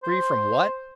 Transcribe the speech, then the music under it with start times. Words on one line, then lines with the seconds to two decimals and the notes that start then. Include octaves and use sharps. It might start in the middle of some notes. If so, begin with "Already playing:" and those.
Free from what?
0.03 C5